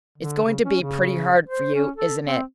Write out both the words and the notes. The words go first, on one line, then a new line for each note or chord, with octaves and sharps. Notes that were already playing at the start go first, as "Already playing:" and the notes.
"It's going to be pretty hard for you, isn't it?"
D3
C#3
C#4
C#3
C5
C#4
A4
C4